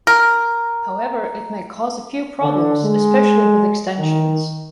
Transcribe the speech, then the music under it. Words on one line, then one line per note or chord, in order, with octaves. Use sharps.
However, it may cause a few problems, especially with extensions.
A#4 A#5
D3
G#3
D#3